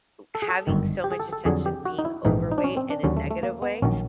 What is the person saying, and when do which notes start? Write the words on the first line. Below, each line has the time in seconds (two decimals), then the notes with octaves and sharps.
Having so much attention being overweight in a negative way
0.35 A4
0.42 G#4
0.48 A4
0.67 G1 F#2 D#3
1.04 G4
1.12 G#4
1.20 A4
1.33 A4
1.45 F2 D3 F#3 G#4
1.66 G4
1.85 F#4
1.99 D#4
2.05 E4
2.25 A#1 G#2 E3 D#4
2.52 D#4
2.58 D4
2.64 C#4
2.77 C4
2.90 D4
3.03 D#2 D3 F#3 C#4
3.17 A3
3.31 A3
3.43 A#3
3.62 B3
3.82 A#1 D#3 F#3 C#4